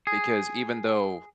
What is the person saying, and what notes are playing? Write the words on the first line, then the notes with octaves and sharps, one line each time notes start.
because even though
G#4